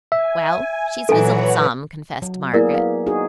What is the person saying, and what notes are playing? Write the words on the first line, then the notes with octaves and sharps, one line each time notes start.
"Well, she's wizzled some," confessed Margaret.
E5 G#5
A#2 E3 F#3 A4 B4 C#5 F#5 G#5
F#3
A#3 B3 E4 G#4 A#4 D5
F5
D#4 F#4 G#4